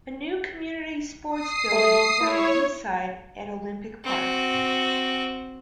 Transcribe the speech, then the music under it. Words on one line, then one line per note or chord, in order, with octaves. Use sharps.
A new community sports building is on the east side at Olympic Park.
D#6 C7
A3
E4 C#5
C4 F#4